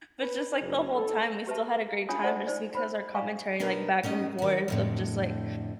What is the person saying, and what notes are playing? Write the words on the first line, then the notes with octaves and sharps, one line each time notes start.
but just, like, the whole time we still had a great time just because our commentary, like, back and forth of just, like,
B4
F#1
A4
G4 B4 E5 A5
C#4 D4 F4 C#5 G#5 D#6
A4 C5 D5 F#5 A5
D#4 C5 D5
C5 B5
D5 F5 G#5 C#6
B2 D4 D#4 A#4 B4
A3 C#4 D#4 D#5
D#3 F#4
F2 A2 D3